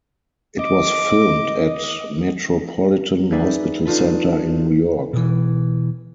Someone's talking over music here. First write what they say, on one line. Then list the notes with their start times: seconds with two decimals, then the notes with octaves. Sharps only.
It was filmed at Metropolitan Hospital Center in New York.
0.59 D#5 D6
3.32 D#4 G#4 B4 D5 E5
3.86 D4 D#4 F4 A4 B4
5.13 B2 E3